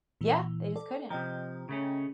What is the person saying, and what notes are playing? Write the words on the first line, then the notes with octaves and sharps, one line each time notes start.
Yeah. They just couldn't.
A#2 E3
A4 D5
C3 F3 D#5 G5 A#5
C#3 A3 C#4